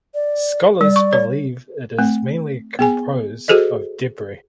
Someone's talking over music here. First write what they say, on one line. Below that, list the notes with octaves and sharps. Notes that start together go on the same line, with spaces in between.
Scholars believe it is mainly composed of debris.
D5
G3 D5
C#6
C#5
A3 C4
B3 G#4 G#5
F#4 G#4 A4 C5 D#5